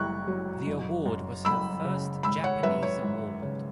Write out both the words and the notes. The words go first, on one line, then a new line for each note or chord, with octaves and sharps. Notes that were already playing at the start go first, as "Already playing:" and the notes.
The award was her first Japanese award.
Already playing: F#1 E4 C#6 F#6
F#3
F#1
F#2
F#1 B5 E6
C#3
G#1 B5 E6
C#5 F#5
F#2 B4 E5
C#5
G#1
C#3